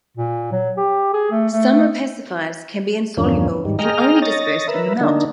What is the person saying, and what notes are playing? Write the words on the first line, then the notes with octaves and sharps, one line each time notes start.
Some opacifiers can be insoluble and only dispersed in the melt.
A#2
F#3
G4
G#4
A3
A3
E2 G2 D3 F3 A#3 C#4
G#2 D#3 G3
G#4 D#5 G5 A#5 F6
C#5 D#5 A6 A#6
A#4 B4 E5
D3 A#3 D4 D#4